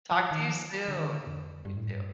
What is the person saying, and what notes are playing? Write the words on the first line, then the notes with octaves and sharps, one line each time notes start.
Talk to you soon. You too.
F3
D#3
F3
D3
D#3
D3
F2
G2
A2
G2